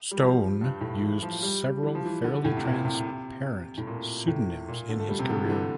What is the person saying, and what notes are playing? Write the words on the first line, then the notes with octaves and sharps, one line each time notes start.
Stone used several fairly transparent pseudonyms in his career.
G3
F3
G2
A2
E3
F3
G3
E3
F3
E3
D3
A2
C3
A#2
C3
A2
A#2
A2
A#2
D3
A3
G3
C3
D3
E3
D3